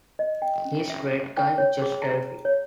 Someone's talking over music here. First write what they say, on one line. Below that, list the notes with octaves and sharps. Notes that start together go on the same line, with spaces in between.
He's a great guy, just terrific.
D#5
G5
C#4
E5
G5
C#5
G#4
A#5
C#5